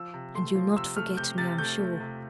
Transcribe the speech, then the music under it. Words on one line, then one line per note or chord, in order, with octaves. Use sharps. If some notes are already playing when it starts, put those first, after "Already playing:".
And you'll not forget me, I'm sure.
Already playing: F3 E6
C3
A3 C6
F3
C3 E6
A3 F6
C3 G6
C3 A6
A3 G6
A3
C3